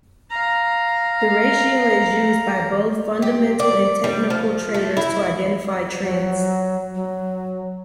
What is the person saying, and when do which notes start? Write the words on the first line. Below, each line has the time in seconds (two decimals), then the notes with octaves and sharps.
The ratio is used by both fundamental and technical traders to identify trends.
0.30 F5 A#5
3.22 G4
3.60 D5
4.04 G3
4.30 F3
4.74 A3
4.97 E4
6.03 F#3
6.95 F#3